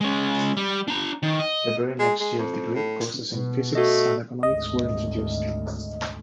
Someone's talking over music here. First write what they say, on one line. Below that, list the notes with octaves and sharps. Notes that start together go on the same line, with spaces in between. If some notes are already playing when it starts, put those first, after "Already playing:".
The very next year degree courses in Physics and Economics were introduced.
G#3 C#4
G3
D4 A#5
D#3
D#5
G#3
G#3
F2
A2
B2
A3 F#4 D#5
G#1 D2 D#5